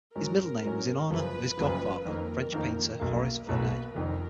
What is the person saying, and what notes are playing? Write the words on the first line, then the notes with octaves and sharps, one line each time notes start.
His middle name was in honour of his godfather, French painter Horace Vernet.
G#2 F#3 C#4 A#4
G#2 F#3 C#4
F#1 F#2 C#3 F3 B4
F#1 F#2 C#3 F3
F2 D#3 A#3 A#4
F2 D#3 A#3
B1 B2 A#3 A#4
B1 B2 A#3 B4
F1 F2 D#3 A#4